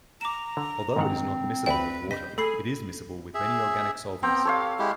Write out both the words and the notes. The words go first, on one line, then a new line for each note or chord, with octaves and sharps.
Although it is not miscible with water, it is miscible with many organic solvents.
A#5 D6 E7
D3
G#2 D#3 C4 F#5
D2 B4 C5 D5 G5 B5
D#5 G6 B6
A3 G#4 A4 B5 C7
G#4 E5
B3 C4 G5 A#5
G4 A4 C#5 F5
G#3 E4 G4